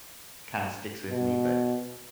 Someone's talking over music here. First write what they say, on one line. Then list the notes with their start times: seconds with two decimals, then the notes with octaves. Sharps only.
kinda sticks with me, but
1.10 B2